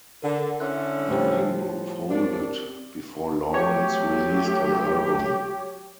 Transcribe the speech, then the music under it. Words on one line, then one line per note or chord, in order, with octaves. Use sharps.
The label folded before Laurence released an album.
D3 A#4 F#5 A#5
D3 C#4 E4 A#5 C6 F#6
A2 F3 G3
C4 D4 G4 A#4
F#3 A3 G4 C#5